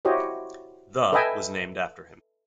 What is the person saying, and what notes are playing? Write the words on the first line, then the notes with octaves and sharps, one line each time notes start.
The was named after him.
E4 F#4 G4 C5 C#5 D#5
A4 B4 D#5 E5 G5 G#5